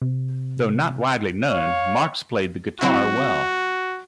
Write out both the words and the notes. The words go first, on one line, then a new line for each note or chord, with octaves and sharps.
Though not widely known, Marx played the guitar well.
C3
C#5 F5
F#3 C4 E4 F#4